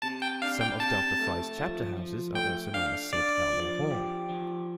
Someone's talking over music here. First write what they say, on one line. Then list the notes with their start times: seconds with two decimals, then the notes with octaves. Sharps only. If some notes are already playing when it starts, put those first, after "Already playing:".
Some of Delta Phi's chapter houses are also known as "Saint Elmo Hall".
0.02 C3 A5
0.22 G5
0.41 D4 F5
0.61 G5
0.80 C3 A5
1.20 A3
1.58 F3
1.97 F3
2.35 A3 G5
2.73 D4 F5
3.13 D4 D5
3.52 F3
3.91 G4
4.29 F3